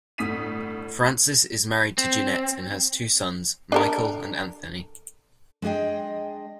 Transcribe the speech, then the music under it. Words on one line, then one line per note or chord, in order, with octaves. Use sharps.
Francis is married to Ginette and has two sons, Michael and Anthony.
G1 D2 A2 D#6 B6 D#7
C4
D4 A4 A#4
G#3 D4 G#4 D#5 G5